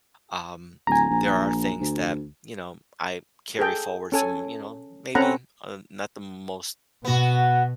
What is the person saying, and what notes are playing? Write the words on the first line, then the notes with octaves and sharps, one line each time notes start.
um, there are things that, you know, I carry forward some, you know, maybe, uh, not the most
D1 G#5 A#5
A#1
D2
G#4 A4 G5
C#4 A4 G#5
C4 C#4 A4 F#5 A#5 B5
B2 B3 F#4